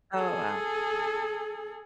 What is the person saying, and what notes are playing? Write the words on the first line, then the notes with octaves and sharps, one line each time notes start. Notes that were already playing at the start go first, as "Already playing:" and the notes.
Oh, wow.
G#4 A4